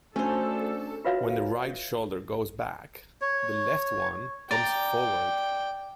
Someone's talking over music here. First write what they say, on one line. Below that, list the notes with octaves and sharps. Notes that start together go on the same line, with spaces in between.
When the right shoulder goes back, the left one comes forward.
A3 C#4 D4 F#4 A4 C5
F4 F#4 B4 C#5 E5 F5
C#5
D5 G5 A#5